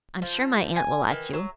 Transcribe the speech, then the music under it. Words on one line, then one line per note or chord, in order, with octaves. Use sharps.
"I'm sure my aunt will let you."
F3
G#5
D#3 E3
F#3